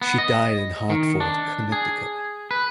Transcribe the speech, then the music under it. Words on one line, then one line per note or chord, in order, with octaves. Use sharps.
She died in Hartford, Connecticut.
B3
D#5
D#3
D4
G#4
B4